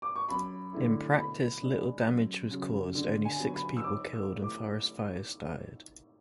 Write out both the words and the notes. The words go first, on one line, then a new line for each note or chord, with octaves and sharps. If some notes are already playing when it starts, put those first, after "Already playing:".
In practice little damage was caused, only six people killed and forest fires started.
D6
C#6
F#2 B5
D3 A3 E4
B2 B5
G#3 D4
F#2
C#3 F#3
D3
G#5
F#3 B3
B5
E6
G#2 D6
E6
E3
A3
D6